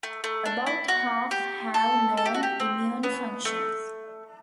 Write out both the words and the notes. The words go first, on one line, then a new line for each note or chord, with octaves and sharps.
About half have known immune functions.
A3
A3
D4
E4
F#4
G4
A4
A4
G4
F#4
G4
C4
B3
A3